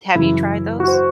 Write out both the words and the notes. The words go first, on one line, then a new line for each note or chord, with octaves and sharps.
Have you tried those?
F#2 C#3 E3 E4
F#4
C5